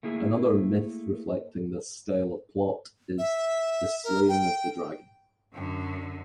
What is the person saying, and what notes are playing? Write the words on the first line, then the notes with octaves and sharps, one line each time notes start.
Another myth reflecting this style of plot is The Slaying of the Dragon.
A3 A#3 E4 G#4
E5
A#4
G5
F#2 D3